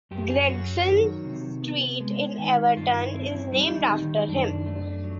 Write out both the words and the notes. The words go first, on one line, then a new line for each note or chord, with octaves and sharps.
Gregson Street in Everton is named after him.
F#2 G4
G#4
F#3 F#4
D#3
C3
B3
G#3
D#3
G2 F4
E4
C4
E4
G3 D#4
D#3
F#2 D4
A3
F#3